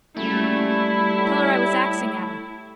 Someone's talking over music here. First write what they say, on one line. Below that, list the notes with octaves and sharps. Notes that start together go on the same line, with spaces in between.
Tell her I was axing at her.
F#1 G3 A3 E4
A2